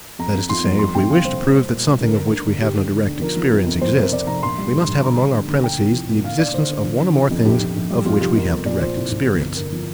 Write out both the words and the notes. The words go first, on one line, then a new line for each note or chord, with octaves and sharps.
That is to say, if we wish to prove that something of which we have no direct experience exists, we must have among our premisses the existence of one or more things of which we have direct experience.
F2 A#5
F2
F3 C6
F2
G3 C6
C3 G5
D2 F5
G3 C5
A#2
G3
A#2
G3
D2 A#4
D3
D2
D3
D3 G4
D2
D3
D3
F3 A#4
F3
C3
F2
F2 C5
C3 A#4
C3 D5
F1 A#5
A#1 C6
G3
A#1
A#1
D3 A#5
G3
D3
D2
A#2 G5
C2
F3
A#2
D3 F5
D3 D5
D3 C5
D3
F3
D3
F3
F2
A#1 G4
A#1
A#1
G3
F2 F4
F1 G4
F2 A#4
F2
A#2 D5
F3 C5
C2
C2
G1
F2
G1 A#4
F3